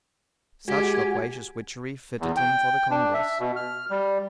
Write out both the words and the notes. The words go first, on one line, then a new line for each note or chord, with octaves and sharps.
Such loquacious witchery fitted him for the Congress.
G#3 F#4 G4 G#5
E2
G5
D4
E5
B2
F6
G3